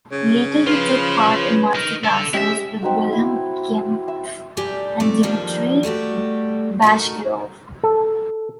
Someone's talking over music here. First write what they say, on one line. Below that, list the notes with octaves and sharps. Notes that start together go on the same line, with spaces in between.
Later he took part in masterclasses with Wilhelm Kempff and Dmitri Bashkirov.
C#3
F4 B4 C5
D#4 A#4
D3 A4
G#3 C#4 E4 G4 E5
C4 D#4 F#4
E4
E5 E6
D2 G3 G4 G#5
F2 D#3 A3 A4 D5
D#3 F3 G3 A#3 D4
G3 A3 F#4 G4
A3 D#4 F#4 A#4
A4